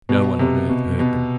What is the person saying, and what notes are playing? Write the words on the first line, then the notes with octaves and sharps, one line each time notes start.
No one on earth heard them.
B2
C3
B2
B2